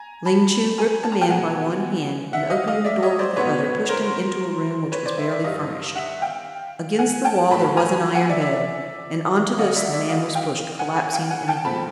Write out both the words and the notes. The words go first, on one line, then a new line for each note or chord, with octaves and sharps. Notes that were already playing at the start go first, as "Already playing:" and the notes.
Ling Chu gripped the man by one hand and opening the door with the other, pushed him into a room which was barely furnished. Against the wall there was an iron bed, and on to this the man was pushed, collapsing in a heap.
Already playing: G#5 A#5
A5 B5
G#5 A#5
A5
A#5
G5 A5
B2 G#3 B3 F#5 G#5
E5 F#5
D#5 F5
D#5 F5
D5 E5
C#5 D#5
C5 D5
A2 F#3 B3 B4 C#5
A#4 C5
B4 C#5
C5 D5
D5 E5
D5 E5
G2 D#3 G3 D#5 F5
E5 F#5
F5 G5
F#5 G#5
G5 A5
A2 F#3 A3 A5 B5
G#5 A#5
F#5 G#5
D5 E5
D5 E5
D2 D3 F#3 A#3 D#5 F5
D5 E5
D5 E5
D#5 F5
F5 G5
F#5 G#5
F#5 G#5
F5 G5
F#5 G#5
G5 A5
G#2 F3 A3 C4 A5 B5